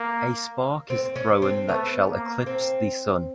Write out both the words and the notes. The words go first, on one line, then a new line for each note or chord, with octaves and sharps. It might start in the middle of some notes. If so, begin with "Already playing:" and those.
A spark is thrown that shall eclipse the sun.
Already playing: A#3
C4
C#4
C4
A3 B3
A#3
C4